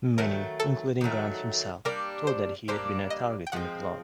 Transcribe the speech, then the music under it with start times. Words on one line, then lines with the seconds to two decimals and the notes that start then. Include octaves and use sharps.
Many, including Grant himself, thought that he had been a target in the plot.
0.18 D#3 F#3 A3 A#4
0.60 A4
1.01 D#3 F#3 A3
1.85 G3 A#3 D4 A#4
2.27 C5
2.68 G3 A#3 D4 C5
3.10 D#5
3.47 G5
3.52 F3 G#3 C4 F#5